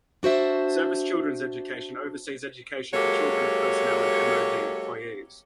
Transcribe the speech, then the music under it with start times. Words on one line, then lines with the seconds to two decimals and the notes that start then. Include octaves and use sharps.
Service Children's Education oversees education for children of personnel and MoD employees.
0.23 D4 F#4 C5 E5
2.94 F#3 G#3 A#3 G4 A4 C#5